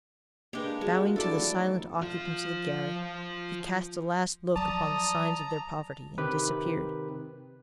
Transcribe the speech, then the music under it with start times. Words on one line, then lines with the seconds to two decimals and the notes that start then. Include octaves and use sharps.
Bowing to the silent occupants of the garret, he cast a last look upon the signs of their poverty and disappeared.
0.53 G#3 A#3 D4 G4 B4
0.81 G3 G#3 F4 F#4
1.16 D4 E4 F#4 A4 D5 A5
1.39 F3 A3 D#4
2.02 F3 F4
4.56 F3 F#3 D5 A5 A#5 D#6
6.18 C3 D#3 C4 G4 B4